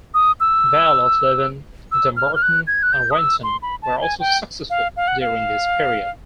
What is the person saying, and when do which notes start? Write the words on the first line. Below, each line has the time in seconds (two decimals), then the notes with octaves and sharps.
Vale of Leven, Dumbarton and Renton were also successful during this period.
0.14 D#6
0.40 E6
1.92 E6
2.17 F6
2.36 F6
2.42 F#6
2.67 G#6
2.83 F#6
2.93 G6
3.11 D#6
3.18 E6
3.43 C6
3.62 B5
3.82 A5
4.01 G#5
4.20 G5
4.70 F5
4.96 F5
5.08 F#5
5.21 F5